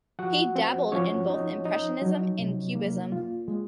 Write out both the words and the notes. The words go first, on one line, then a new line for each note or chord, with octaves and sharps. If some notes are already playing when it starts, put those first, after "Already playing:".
He dabbled in both Impressionism and Cubism.
F3 F#4 F#5
C4
F3 C#4 C#5
D#4
D#4
F#3
C3
A#3
F4
G#3